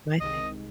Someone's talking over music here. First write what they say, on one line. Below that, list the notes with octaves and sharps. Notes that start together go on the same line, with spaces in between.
my thing.
C2 C3 D#3 G#3 D#5